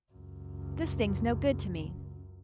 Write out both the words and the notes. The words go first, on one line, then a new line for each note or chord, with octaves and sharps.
This thing's no good to me.'
C#2 F#2